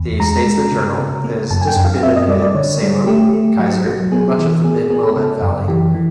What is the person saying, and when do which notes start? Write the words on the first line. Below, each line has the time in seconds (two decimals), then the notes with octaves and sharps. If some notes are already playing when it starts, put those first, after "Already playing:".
The "Statesman Journal" is distributed in Salem, Keizer, and much of the mid-Willamette Valley.
Already playing: E2
0.20 G#3 A#5
0.46 G#3
0.72 C#3
0.99 C#3
1.24 A#3
1.51 F#2 A5
1.61 G#5
1.67 G5
1.76 F#2
1.85 F5
2.03 C4 E5
2.16 D#5
2.28 G3 D5
2.42 D5
2.55 D3 C#5
2.82 G3
3.07 A3 G4
3.33 A3
3.59 F#3
3.86 F#3
4.12 B3 G#4
4.38 E3
4.64 B3 G#4
4.77 G#4
4.90 B3 G#4
5.03 A4
5.16 C#3 A4
5.42 F#2
5.68 E3 G4
5.95 E3